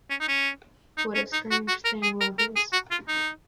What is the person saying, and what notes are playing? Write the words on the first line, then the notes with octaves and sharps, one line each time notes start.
What a strange thing love is!
C#4
D#4
C#4
D#4
C#4
D#4
F#4
F#4
A#4
G#4
A#4
A#4
G#4
F#4
F4
D#4